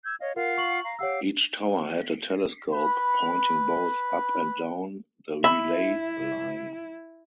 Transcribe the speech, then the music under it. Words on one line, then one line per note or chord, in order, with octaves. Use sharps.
Each tower had a telescope pointing both up and down the relay line.
E6 G6 G#6
C#5 D#5 F5
F4 A#4 F5 F#5
C#6 F#7
F5 A#5
G4 C#5 F5 F#5 E6
B4 B5
E4 E5 B5